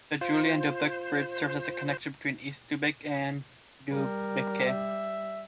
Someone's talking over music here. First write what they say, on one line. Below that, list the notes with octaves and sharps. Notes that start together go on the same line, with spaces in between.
The Julien Dubuque Bridge serves as the connection between East Dubuque and Dubuque.
F4 C5
G3 A#4
E5